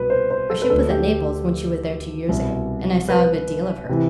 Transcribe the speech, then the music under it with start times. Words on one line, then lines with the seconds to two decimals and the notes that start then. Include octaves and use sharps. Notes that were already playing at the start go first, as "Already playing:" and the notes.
Our ship was at Naples when she was there two years ago; and I saw a good deal of her.
Already playing: C2 B2 B4
0.10 C5
0.31 C5
0.50 A4
0.62 B4
0.70 D2 D3 A4
0.90 G4
2.29 C2 B2
3.09 B4
3.89 C3 E3